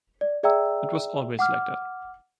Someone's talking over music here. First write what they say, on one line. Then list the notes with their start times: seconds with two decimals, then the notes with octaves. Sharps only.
It was always like that.
0.21 D5
0.43 G#4 D5 E5 G5 A#5 E6
1.39 F#5 D6 F6